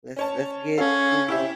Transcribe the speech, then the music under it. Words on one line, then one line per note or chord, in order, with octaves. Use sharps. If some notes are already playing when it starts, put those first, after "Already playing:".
let's let's get, you know,
C#4 C#5 A5
C#4 A4 F5
E4 G4 E5